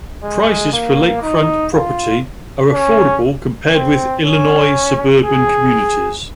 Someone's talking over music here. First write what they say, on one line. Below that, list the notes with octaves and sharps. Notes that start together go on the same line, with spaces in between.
Prices for lakefront property are affordable compared with Illinois suburban communities.
G#3
A#3
D#4
F4
C#4
C4
C#4
G#4